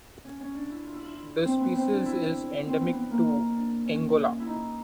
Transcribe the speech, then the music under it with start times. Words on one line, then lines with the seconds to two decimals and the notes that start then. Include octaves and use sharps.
The species is endemic to Angola.
0.25 C#4
0.40 C#4
0.55 D4
0.70 E4
0.85 F4
0.93 E4
1.02 F4
1.15 E4
1.45 C4
1.61 B3
1.75 C4
1.90 D4
2.05 E4
2.66 C4
2.81 B3
2.96 B3
3.11 A#3
3.26 D#4
3.56 D4
3.86 C#4
4.16 C#4
4.40 E4
4.46 D#4